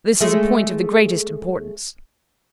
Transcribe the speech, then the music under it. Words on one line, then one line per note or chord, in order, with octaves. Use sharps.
This is a point of the greatest importance.
G#3 A3 G#4